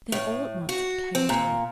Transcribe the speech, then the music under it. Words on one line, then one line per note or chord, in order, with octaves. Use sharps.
Then all at once it came to her.
A2
F#4
C4
A#2